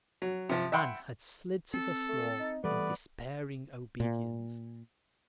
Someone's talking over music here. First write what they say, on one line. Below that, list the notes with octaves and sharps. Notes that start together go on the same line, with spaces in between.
Anne had slid to the floor in despairing obedience.
F#3
C3 F3
E5 F#5 G5 B5 C6
C4 A4
A3
D#4
E3 G3 A3 B3 B4 D5
A#2